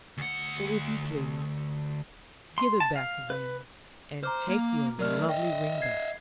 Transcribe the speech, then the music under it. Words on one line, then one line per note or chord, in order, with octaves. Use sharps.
So, if you please, give it back again, and take your lovely ring back.'
D2 F#5
C6
A5
F5
B4
C5 A#5 D6 F6
A#3
F#3 A3 A#4 D5 F6
D#5 E5 G5
G#6 C7